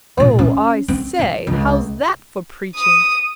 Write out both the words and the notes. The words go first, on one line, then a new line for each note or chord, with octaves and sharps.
'Oh, I say; how's that for preaching?
D2 A#2
C#4
C4
F3 C4
C#2
D#6